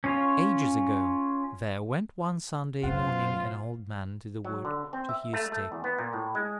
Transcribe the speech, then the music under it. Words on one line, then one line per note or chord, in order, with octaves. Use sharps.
Ages ago there went one Sunday morning an old man into the wood to hew sticks.
C#4 F4 C#5
F#2 B2 A3 F4 C5 F#5
F#3
D3
C4
E5
A3
A3
E2
B3
A#2
A2
G#3